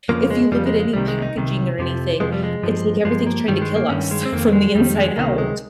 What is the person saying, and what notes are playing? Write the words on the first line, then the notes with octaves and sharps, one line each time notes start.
if you look at any packaging or anything, it's like everything's trying to kill us from the inside out.
F2 C#3 F3 A#3
G#3
F2 C#3 F3 G3
G#3
G#3
C2 C3 D#3 G3
G#3
D#4
C2 C3 D#3
F2 C3 F3
F2 C3 F3 G#3
G3
G#3
G2 F3
G2 F3 G#3
A#3
G2 D#3 G3
G#3
A#3
G2 D#3 C#4
G#3
C4
F2 D#3 A#3
G#3
F2 D#3 G3
G#3
C#2 C3 D#3 A#3
G#3